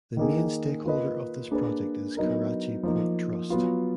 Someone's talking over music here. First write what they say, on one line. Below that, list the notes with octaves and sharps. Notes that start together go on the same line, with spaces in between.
The main stakeholder of this project is Karachi Port Trust.
D#3 A#3 D#4 G#4
A#3 F4 B4 D#5
A#3 D4 G#4 B4
F#3 B3 D#4 A#4
F3 A#3 D#4
F#3 B3 F4